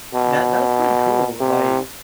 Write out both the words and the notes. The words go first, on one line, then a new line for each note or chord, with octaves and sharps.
that that's pretty cool. Like,
B2
C3